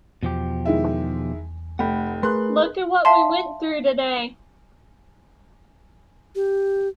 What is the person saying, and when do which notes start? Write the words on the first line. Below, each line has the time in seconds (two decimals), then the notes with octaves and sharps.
Look at what we went through today.
0.23 E2 B2 F3 G4
0.65 D#3 G#3 E4
1.79 F1 A3 F#5 G5 B5
2.23 A3 G#4 A#4 B4 C6 F#6
3.05 E5 F5 A5 C6
6.36 G4